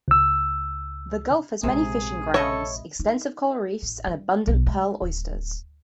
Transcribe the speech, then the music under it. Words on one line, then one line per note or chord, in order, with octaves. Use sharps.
The gulf has many fishing grounds, extensive coral reefs, and abundant pearl oysters.
C#2 E6
A#1 C3 G#3 G#4
E4 A4 C#5 D#5
D#4
A1
G3
B1
G#3
D1